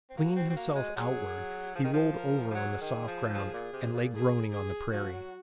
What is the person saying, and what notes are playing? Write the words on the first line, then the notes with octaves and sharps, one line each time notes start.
Flinging himself outward, he rolled over on the soft ground, and lay groaning on the prairie.
C4
A#3 F#4
C4
C4
A#3
G#3
F#3 G#4
F3 G#4
D#3
F3
A#4
F3
F#3 G#4
D#3
F3
F3 G#4
A#2
C3
A#2
G#4
G#4
F3 F#4
F#3